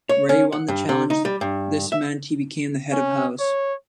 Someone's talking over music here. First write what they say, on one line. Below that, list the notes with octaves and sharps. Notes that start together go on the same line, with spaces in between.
Ray won the challenge, this meant he became the "Head of House".
C#5
C#4
F#5
G2
C3
D#4
G3
G2
E5
C#4
C#5